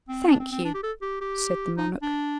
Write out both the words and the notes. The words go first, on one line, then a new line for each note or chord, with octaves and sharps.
"Thank you," said the monarch.
C4
D4
C4
C4
D4
G4
A4
G4
G4
D#4
D4